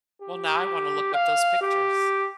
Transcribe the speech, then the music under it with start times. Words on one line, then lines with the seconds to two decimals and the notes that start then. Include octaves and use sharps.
Well, now I wanna look up those pictures.
0.22 G4
1.14 F5
1.62 G4